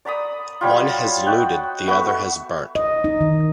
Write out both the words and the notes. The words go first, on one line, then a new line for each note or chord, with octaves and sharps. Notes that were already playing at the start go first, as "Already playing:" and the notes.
One has looted, the other has burnt.
D5 A#5 B5 D#6
F#3 G3 F4
F#4 D#5 F#5 G5
A3 B3 F#4
D#5
D#4
D#3